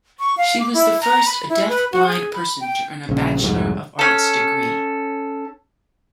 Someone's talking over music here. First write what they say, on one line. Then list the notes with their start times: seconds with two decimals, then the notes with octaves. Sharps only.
She was the first deaf-blind person to earn a bachelor of arts degree.
0.20 C#6
0.37 F5
0.60 D6
0.74 E4
1.01 A#5
1.25 B5
1.49 E4
1.68 B4
1.92 F#4
2.07 G#4
2.33 B5
2.61 G5
3.09 A#1 C#3
3.40 C2 F2 G#2
3.99 C#4 A4